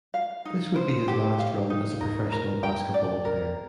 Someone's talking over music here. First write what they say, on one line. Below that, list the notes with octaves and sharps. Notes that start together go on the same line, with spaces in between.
This would be his last run as a professional basketball player.
F5
D#4
C5
G4
F5
D#4
A#4
A#4
G5
D5
A#4